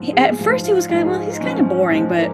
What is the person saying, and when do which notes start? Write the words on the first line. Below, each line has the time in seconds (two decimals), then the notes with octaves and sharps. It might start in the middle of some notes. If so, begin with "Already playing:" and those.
He at first, he was kinda, "Well, he's kinda boring," but,
Already playing: G#2 F3
0.13 G#4
0.39 G#2 F3 F4
0.64 F4
0.89 G#2 F3 D#4
1.03 G#4
1.16 F4
1.28 D#4
1.40 G#2 F3 C#4
1.65 C#4
1.91 G#2 F3 G#3
2.18 A#3